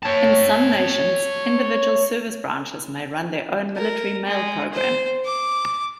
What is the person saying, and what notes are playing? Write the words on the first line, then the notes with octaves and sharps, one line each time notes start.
In some nations, individual service branches may run their own military mail program.
C#5 A5
A#4
G#3
C5
D6